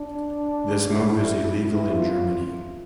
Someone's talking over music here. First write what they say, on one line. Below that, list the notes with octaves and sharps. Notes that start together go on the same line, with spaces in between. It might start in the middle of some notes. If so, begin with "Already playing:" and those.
This move is illegal in Germany.
Already playing: D4
E4
F4